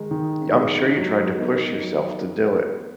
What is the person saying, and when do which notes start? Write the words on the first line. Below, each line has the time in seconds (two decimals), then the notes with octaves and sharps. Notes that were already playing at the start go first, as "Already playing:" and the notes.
I'm sure you tried to push yourself to do it,
Already playing: D#3 G#3 D#4
0.11 D#3
0.54 G#3 D#4
0.96 F#3
1.38 B3 D#4 A#4 D#5
1.81 F#3